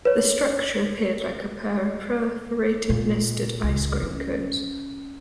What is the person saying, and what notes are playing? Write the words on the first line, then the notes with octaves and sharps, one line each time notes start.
The structure appeared like a pair of perforated, nested ice cream cones.
B4 C#5
A#2
C#2
C#4